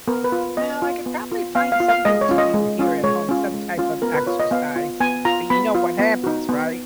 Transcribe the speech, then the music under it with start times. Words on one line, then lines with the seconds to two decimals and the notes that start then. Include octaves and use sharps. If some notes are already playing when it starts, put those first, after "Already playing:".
"Well, I could probably find something to do here at home, some type of exercise, but you know what happens, right?
0.08 B3 A#4
0.24 B4
0.32 F4
0.57 B3 D#5
0.82 F4
1.06 B3
1.32 F4
1.55 B3 F5
1.72 F5
1.80 F4
1.89 F5
2.05 G#3 D#5
2.21 C#5
2.29 C#4 F4
2.38 D#5
2.54 G#3
2.79 C#4 F4
3.04 G#3 C#5
3.29 C#4 F4
3.53 G#3
3.77 C#4 F4
4.02 B3 A#4
4.15 B4
4.27 F4 C#5
4.40 D#5
4.51 B3 F5
4.76 F4
5.01 B3 G#5
5.25 F4 A#5
5.50 B3 B5
5.75 F4
5.99 B3
6.24 D#4 F#4
6.49 B3